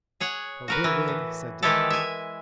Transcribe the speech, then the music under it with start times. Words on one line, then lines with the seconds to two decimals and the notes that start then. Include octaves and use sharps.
"But we'll win!" said Dick.
0.20 G#4 C#5 F#5
0.68 F#4 A#4 B4
0.84 E3
1.08 A2
1.63 D#3 E3 G#3 E4 G4 A4
1.90 E5 G#5